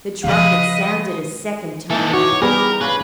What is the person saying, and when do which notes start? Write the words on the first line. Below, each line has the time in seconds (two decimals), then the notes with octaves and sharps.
The trumpets sounded a second time.
0.24 C#3 F3 B4 D#5 F5
1.90 E3 A#3 D#4 A4
2.13 F#4 C#5 D6
2.42 G3 B3 G#4 A#4 B5
2.81 C#4 D4 B4 F5